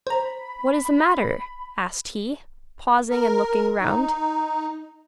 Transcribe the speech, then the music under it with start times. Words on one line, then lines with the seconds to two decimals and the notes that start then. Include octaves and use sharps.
'What is the matter?' asked he, pausing and looking round.
0.07 C5 A#5 B5
3.10 A#4
3.80 D#4